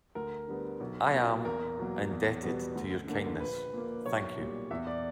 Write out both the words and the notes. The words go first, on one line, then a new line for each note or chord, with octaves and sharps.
I am indebted to your kindness, thank you!.
D2 A#4
D3 G3 B3
B1
B2 A#3
E2 A#4
B2 F#3 A#3
E2
B2 G3 B3
D2
D3 A#3
A#1 B4
A#2 A#3
B1 C#5
A#2 G3
E2 E5
D5